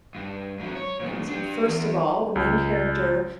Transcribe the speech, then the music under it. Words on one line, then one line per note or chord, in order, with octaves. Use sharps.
And first of all, the main character,
G2
G#2 F#3
C#5
A#2 F#3
D4 G4
E2
C#2